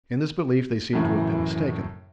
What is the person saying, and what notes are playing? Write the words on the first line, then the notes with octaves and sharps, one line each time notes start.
In this belief they seem to have been mistaken.
F#2 A2 C#3 E3